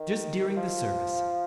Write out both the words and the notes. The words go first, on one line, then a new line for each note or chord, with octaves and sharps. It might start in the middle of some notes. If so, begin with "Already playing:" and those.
Just during the service.
Already playing: D#3
D#3
F3